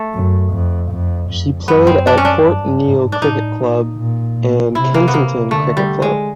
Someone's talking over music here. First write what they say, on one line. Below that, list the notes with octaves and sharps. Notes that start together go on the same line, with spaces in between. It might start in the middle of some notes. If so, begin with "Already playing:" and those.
She played at Port Neill Cricket Club and Kensington Cricket Club.
Already playing: A3
F#2
F2
F2
F2
F#2 B3
C4
D4
C#4
D4
G2
G#2
D4
A2 D#4
A#2
A#2
A#2
C3 E4
A#3
B3
A#3
D3 A3
G3
G#3